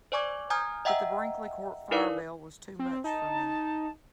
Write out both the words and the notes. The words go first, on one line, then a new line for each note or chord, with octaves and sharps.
But the Brinkley Court fire bell was too much for me.
C5 D5 G#5 C#6 D6 G#6
G#5 A#5 D#6 F6 G6 G#6
D#5 E5 F#5 G5 A#5 E6
D#4 E4 A#4 B4 D5 F5
C4
D#4 A5